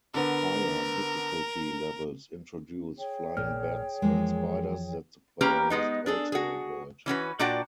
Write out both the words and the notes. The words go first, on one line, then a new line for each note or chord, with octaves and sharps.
Higher difficulty levels introduce flying bats and spiders that the player must also avoid.
D3 B3 A#4
G#4 C#5 G5
A#1 A#2 F6
F2 E3 F3 G#3 A#3
A#3 C#4 G4 A#4 B4 A#5
G#3 B3 D#4
D4 G#4 A4
F#4 G#4
E3 C#4 F#4 B4
A#2 D4 F#4 D5 F#5 G5